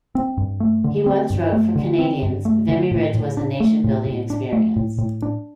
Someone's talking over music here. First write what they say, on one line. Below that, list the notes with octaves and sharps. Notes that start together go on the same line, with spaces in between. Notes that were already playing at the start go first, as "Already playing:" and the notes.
He once wrote: For Canadians, Vimy Ridge was a nation building experience.
C4
G2
A3
D3
C4
G2
A3
D3
C4
G2
A3
D3
A2
A2
D4
A3
A2
A2
D4
A3
A2
A2
D4